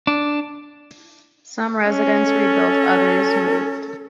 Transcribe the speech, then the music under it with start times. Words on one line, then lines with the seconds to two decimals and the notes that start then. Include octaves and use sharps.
Some residents rebuilt, others moved.
0.07 D4
1.88 C#4
2.25 A4